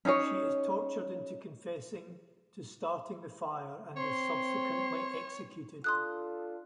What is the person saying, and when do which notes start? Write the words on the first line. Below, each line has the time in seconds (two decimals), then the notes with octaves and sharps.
She is tortured into confessing to starting the fire and is subsequently executed.
0.05 C#4 D#4 G#4 C#5
3.96 C4 C#5 C6
5.84 D4 F4 A4 C6 D#6 F#6